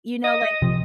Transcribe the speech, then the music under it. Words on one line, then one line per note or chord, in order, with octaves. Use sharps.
You know, like
D#5
C3 F3